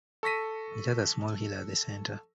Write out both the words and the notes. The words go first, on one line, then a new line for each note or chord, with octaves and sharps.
It has a small hill at the center.
A4 C#6 A#6 B6 D#7